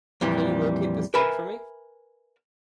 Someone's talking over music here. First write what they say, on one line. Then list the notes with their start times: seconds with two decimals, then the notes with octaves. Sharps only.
Can you locate this book for me?
0.21 F2 A#2 E3 G3
1.14 A#4 B4 E5 G#5 A5 B5